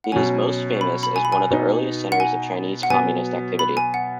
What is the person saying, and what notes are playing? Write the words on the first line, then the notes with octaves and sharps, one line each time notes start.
It is most famous as one of the earliest centers of Chinese communist activity.
F#5
B2 F#3 C#4 G#5
B5
B5
G#5
B5
G#5
B2 B3 D#4
F#5
G#5
F#5
B2 F#3 B3 G#5
B5
G#5
F#5